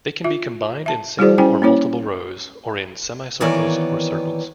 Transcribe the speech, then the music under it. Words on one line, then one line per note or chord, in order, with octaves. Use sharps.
They can be combined in single or multiple rows, or in semicircles or circles.
F4 E5
E5 A5
G3 E4 F#4 G#4 C5 D5
C#4 E4 C5 G5 G#5
A#3 C#4 E4 C#5
D#3 E3 A#3 B3 C#5 D5